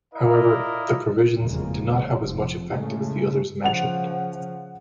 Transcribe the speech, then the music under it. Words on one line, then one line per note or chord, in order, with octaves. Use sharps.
However, the provisions did not have as much effect as the others mentioned.
E4 A#4 D5 D#5 F5
F1 E2 G2 C#3 G#3 A#3
F1 F3
A2 C#3 G#3 A3
C#3 F3 F#5 F7